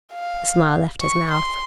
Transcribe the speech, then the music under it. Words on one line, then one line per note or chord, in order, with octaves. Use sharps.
The smile left his mouth.
F5
C#6
C6